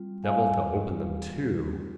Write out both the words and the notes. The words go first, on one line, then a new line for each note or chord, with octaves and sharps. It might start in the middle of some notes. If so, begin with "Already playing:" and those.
Devil to open them too.
Already playing: G3 C4 F4
F5 G#5